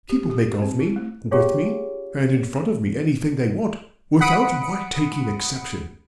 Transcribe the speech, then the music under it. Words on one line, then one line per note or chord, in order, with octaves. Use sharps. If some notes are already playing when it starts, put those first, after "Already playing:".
People make of me, with me, and in front of me anything they want, without my taking exception.
G4
G4
C4
E4
A3
C#4 F4 G4 G#4 C#5 F5
F#5 B5 D#6 C#7 D7